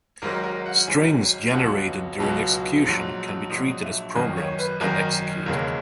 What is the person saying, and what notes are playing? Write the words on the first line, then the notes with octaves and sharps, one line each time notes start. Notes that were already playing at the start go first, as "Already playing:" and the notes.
Strings generated during execution can be treated as programs and executed.
G#1 G#2 F#3 A#4
A#4
F#5
G#1 G#2 F#3 G#5
C#2 B2 F#3 F#5
C#2 B2 F#3
A#1 G#2 F#3
A#1 G#2 F#3 D#6
D#6
E5
G#1 F#2 D#3 D#5
C#5
B4
G#1 F#2 D#3 A#4
E1 D#2 C#3 G#3 A#4